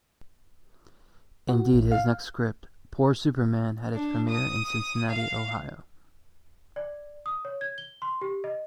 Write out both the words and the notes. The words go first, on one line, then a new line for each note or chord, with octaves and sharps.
Indeed, his next script, "Poor Super Man", had its premiere in Cincinnati, Ohio.
F#4
A1
F5
D4
D#6
F5
D5
D#6
C#5
G#6
G7
C6
G4
D#5